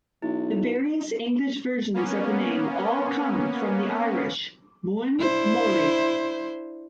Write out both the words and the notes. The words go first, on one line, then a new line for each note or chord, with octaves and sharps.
The various English versions of the name all come from the Irish, "Muine Moling".
B1 E4
A#3 B3 C#4
D4 E4 C5